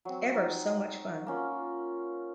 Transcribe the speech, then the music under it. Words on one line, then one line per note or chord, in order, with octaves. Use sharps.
Ever so much fun.
F#3 C4
D#4
A#3 C#4 F4